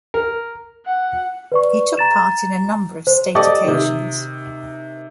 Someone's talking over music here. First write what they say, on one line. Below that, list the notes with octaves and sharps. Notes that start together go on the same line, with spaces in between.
He took part in a number of state occasions.
A#4
F#5
B4 D5 C#6
A#5 A6 E7
C5
G4 A4 D5 D#5 C#6 D#6
C3 D#3